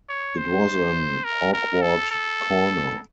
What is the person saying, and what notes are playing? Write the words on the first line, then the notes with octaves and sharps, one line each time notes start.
It was an awkward corner.
C#5
C5
A#4
A#4
A4
A4